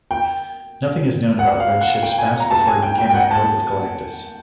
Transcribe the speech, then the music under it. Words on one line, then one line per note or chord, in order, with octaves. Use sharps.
Nothing is known about Red Shift's past before he became the Herald of Galactus.
G5
F#5
F5
F#5
G5
G#5
A#5
A5
G#5
G5
G5
G5
F#5
A5